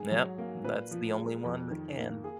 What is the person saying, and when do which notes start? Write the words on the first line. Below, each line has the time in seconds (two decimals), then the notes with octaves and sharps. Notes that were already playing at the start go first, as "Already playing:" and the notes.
Yep, that's the only one that can.
Already playing: G#2 G#4
0.11 F#3
0.38 A#3
0.64 A#2 B4
0.91 F3
1.17 G#3
1.44 F2
1.71 D#3
1.97 A#3
2.24 G#4